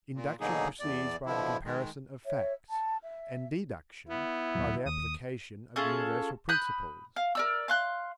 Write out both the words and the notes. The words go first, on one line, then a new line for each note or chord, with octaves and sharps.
Induction proceeds by the comparison of facts, and deduction by the application of universal principles.
A#2
B2 D3 F#3 A#3 D#4 G#4
E2 D5
B2 D3 F3 E4
D#3 G#3
C#5 E5
A5
E5
B3 E4
D1 D#2 F#3
D#2 D#6
C#4 F4 G#4 A4
B5 D#6 F#6 G6
F5
A#4 D5 E6
F5 C6 F#6